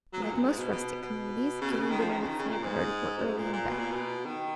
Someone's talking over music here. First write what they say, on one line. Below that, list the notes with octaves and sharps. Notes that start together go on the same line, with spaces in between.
Like most rustic communities, Gylingden and its neighbourhood were early in bed.
F#3
A#2
F#2
G#2
B2
B2
B2
C#3
B2
C#3
D#3
F3
D#3
C#3
D#3
C#3
A#2
G#2
F#2
G#2
A#2
A#2
B2
A#2
B2
D#3